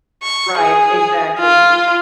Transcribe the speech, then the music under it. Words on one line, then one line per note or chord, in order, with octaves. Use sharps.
Right, exactly.
C#6
G#4
F4